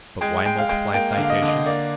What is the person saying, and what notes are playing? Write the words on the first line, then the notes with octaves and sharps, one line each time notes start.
But why multiply citations?
G#3 G5
G#3 G5
F5
G#3 G5
A#3 G5
F5
D3
F5
D#5
D3
D#5
A#3 D5